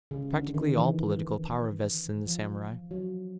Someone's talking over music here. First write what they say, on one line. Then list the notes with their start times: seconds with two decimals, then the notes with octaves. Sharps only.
Practically all political power vests in the samurai.
0.11 C#3
0.33 D3
0.54 D#3
0.76 E3
2.26 F3
2.91 F#3